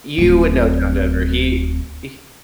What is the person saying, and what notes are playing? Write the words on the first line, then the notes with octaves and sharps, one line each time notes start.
You would know John Denver. He h
D1 C4